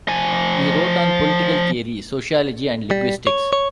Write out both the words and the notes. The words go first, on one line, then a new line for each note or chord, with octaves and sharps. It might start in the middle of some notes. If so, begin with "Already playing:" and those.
He wrote on political theory, sociology and linguistics.
F3 G#5
G3
C#5
C#5